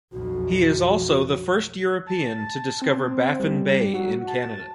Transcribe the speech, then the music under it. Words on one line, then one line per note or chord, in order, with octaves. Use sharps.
He is also the first European to discover Baffin Bay in Canada.
B1 F2 F#4
A5
C4
G3
F#4
A5